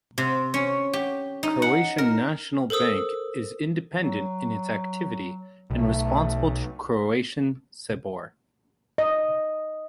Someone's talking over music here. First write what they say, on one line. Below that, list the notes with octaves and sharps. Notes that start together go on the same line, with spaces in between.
Croatian National Bank is independent in its activity and responsible to Croatian "Sabor".
C3
C#4
G4
D#4
F#5
A#4
A4 A#4 C5 D#6 E6
F#3
B1 A3
D#5